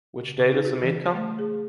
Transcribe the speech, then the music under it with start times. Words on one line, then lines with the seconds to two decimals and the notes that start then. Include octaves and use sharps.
Which day does the maid come?
0.23 C#3
0.39 C#3
0.51 D#4
0.65 F#4
0.82 E3
1.15 A3
1.39 G#4